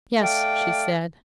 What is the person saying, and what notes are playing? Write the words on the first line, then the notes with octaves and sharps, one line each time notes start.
"Yes," she said.
A3 D5 F5 G5